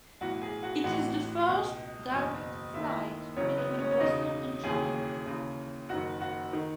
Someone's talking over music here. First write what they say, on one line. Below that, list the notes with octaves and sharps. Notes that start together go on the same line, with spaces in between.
It is the first direct flight between Boston and China.
B1 A2 E3 F#4 F#5
G#4 G#5
F#4 F#5
A1 A2 E3 F#4 F#5
C#2 B2
F#1 E2 B2
D#2 D#3 E5
D#5
E4 E5
F#1 F#2 C#3 E3 C#4 C#5
B3 B4
C#4 C#5
C#5
E1 E2 C#3 D#4 D#5
E1 D#2 C#3 E3 G#4 G#5
D#2 C#3 E3
F#1 F#2 D#3 F#4 F#5
F#4 F#5
D#3